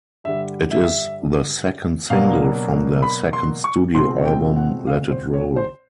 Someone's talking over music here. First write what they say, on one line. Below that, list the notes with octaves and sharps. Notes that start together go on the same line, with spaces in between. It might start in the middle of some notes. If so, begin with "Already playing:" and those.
It is the second single from their second studio album "Let It Roll".
G2 D3 G3 E5
E5
B2 F#3 A#3 D4 F5
B5
C6
C#6
B2 G#3 C4 F4 C6
G5
F#5
F5
C5
C#5
C5